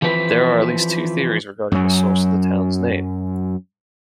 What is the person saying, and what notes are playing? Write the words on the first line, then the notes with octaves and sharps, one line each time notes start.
There are at least two theories regarding the source of the town's name.
E3 F3 C4 B4
F#2 F#3